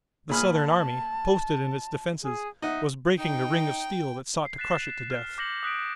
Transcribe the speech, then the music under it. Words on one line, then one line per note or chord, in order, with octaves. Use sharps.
The Southern army, posted in its defenses, was breaking the ring of steel that sought to crush it to death.
A#2 G#4 B5 F6
A5
G#4
D#4 E5 F#5
D#4 G5
C7
F#6 A6 B6 C7 E7
F6
D6 G6 A#6 C#7 F#7
D#6 F#6 B6 D7